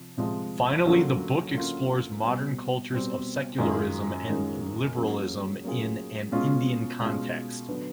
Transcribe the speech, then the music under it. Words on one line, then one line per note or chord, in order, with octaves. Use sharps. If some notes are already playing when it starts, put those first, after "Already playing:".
Finally, the book explores modern cultures of secularism and liberalism in an Indian context.
Already playing: C3 F3
C3 F3 G#3
D3 F#3 A#3 C#4 F4
D3 F#3 A#3 C#4 F4
B2 G3 C4
B2 G3 C4
F#2 D#3 G#3 C#4 F4
F#2 D#3 G#3 C#4 F4
F#3 A#3 C#4 F4 G#4
F#3 A#3 C#4 F4 G#4
B2 G#3 C#4 F4
B2 G#3 C#4 F4
D3 F#3 B3 D4